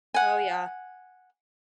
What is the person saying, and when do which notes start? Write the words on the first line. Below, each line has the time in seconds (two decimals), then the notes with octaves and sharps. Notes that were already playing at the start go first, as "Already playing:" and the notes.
Oh, yeah.
0.14 F#5 G#5